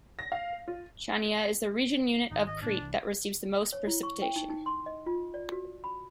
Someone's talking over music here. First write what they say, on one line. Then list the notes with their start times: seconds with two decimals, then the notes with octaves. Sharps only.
Chania is the regional unit of Crete that receives the most precipitation.
0.19 A#6
0.32 F5
0.68 F4
2.31 G#1 D#4
2.47 D#5
2.62 A2 C#3 E3 D4
2.77 C2 E3
3.73 C#5
3.87 E4
4.03 C#6
4.22 G5
4.36 D#4
4.50 D#4
4.66 C6
4.86 D#5
5.06 F4
5.34 D5
5.52 F#4
5.84 B5